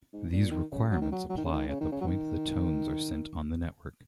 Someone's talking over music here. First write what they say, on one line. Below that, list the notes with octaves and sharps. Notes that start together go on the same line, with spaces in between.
These requirements apply at the point the tones are sent on the network.
G#2
A#2
D#3
C#3
F#3
D#3
F#3
F#3
D#3
C#3
D#3
C#3
D#3
C#3
F#3
D#3